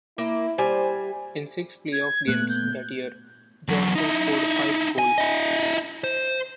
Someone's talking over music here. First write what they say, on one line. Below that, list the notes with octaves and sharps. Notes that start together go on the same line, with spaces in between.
In six playoff games that year, Johnson scored five goals.
A#3 E4
G3 C5 G#5
G#6
A#2 A3 B3 F#6
G6
E2 F#3
D#4 E4
G#5
E4 D#5
C5